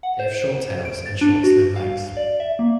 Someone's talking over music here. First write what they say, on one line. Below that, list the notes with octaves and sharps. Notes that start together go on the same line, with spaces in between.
They have short tails and short slim legs.
F#5
C5
D7
A6
D4
F#4
F5
D5
E5
A#3